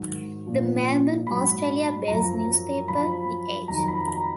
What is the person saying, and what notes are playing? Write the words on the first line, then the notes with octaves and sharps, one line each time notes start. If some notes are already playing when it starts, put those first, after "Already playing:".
The Melbourne, Australia-based newspaper, "The Age".
Already playing: G#2 D#3 F#3
A#2 F3
G#2 F#3 B5
F#2 F3 A#5
F#2 F3 B5
F2 D#3 F#3 A#5
B5
A#5